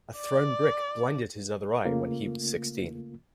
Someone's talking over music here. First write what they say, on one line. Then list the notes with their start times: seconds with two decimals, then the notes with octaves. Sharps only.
A thrown brick blinded his other eye when he was sixteen.
0.17 D5
1.85 C#3 A3 A#3 F4